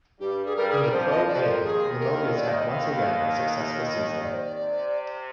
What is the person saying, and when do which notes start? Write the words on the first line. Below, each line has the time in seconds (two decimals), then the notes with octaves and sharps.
In the Pro A, Limoges had once again a successful season.
0.20 G2 G3 G4
0.46 G#4
0.56 G2 G3 A#4
0.70 G#4
0.81 A#4
0.92 F2 F3 C5
1.10 D#5
1.28 F2 F3 D5
1.47 A#4
1.64 D#2 D#3 G#4
2.00 A#4
2.36 D5
2.49 F5
2.54 D#5
2.73 F5
2.90 F5
3.80 D#5
4.16 D#5
4.25 D5
4.34 C5
4.43 D5
4.52 C3